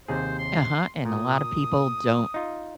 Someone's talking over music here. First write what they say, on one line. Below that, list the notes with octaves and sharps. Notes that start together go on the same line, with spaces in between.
Uh-huh, and a lotta people don't
D#2 C3 G#4 C5
C6
A#2 D#6
D#4 F4